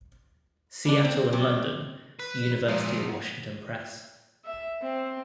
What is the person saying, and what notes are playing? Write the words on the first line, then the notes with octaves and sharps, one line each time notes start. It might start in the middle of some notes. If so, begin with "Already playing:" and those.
Seattle and London: University of Washington Press.
G3 D4
C4
C3 F#3 G3
B4
A#2 F3 G#3 F4 F5
B3 G#4 F#5
E5
C4